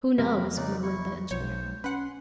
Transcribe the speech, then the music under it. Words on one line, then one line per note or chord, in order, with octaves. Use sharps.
"Who knows?" murmured the engineer.
F2 C3 E3 G#3 C4 A#4 B5
C#3 D#4 D5 F#6
E4 C#6
B1 C5 C#5
C#4 B4 F#5 C6